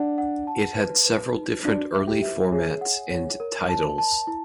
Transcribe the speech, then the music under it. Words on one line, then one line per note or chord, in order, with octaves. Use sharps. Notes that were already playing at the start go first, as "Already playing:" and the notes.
It had several different early formats and titles.
Already playing: D4 F#5
F#5
A5
B4
B4
D#4
D4 F#4
E5
G4
E5
G#4 C#5
F#5
C#5
A#4
A5
A5
E4